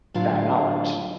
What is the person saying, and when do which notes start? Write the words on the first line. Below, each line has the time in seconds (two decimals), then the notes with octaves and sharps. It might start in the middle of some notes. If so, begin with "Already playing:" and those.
that knowledge.
0.14 A2 D3 F#3 E4 F4 F5